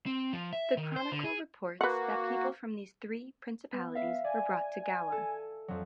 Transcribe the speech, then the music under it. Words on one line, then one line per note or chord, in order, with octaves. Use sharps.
The chronicle reports that people from these three principalities were brought to Gowa.
C4
F3
E5
D#3
C5
D3
G#4
A#3 F#4 B4 F#5
B3
E5 F5
D5 G#5
A4
F2 F#3